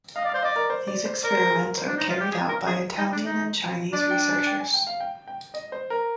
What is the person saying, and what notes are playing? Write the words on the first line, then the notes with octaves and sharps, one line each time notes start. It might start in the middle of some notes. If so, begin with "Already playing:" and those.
These experiments are carried out by Italian and Chinese researchers.
D#5 F5
D5
C5 F5
D5 D#5
A#4
C5
D5
C5
A#4 D5
C5
G#4
A#4
C5
D4
D#4
F4
G4
G#4
A#4
G#4
D#4
D4
D#4
D4 D5
G5
G#5
G5
G#5
G5
F5
G5
G5
D#5
C5
A#4